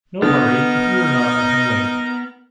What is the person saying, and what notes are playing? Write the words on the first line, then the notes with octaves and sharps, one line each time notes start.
No hurry; if you are not, I can wait.
D3 B3 D#4 A#4 F6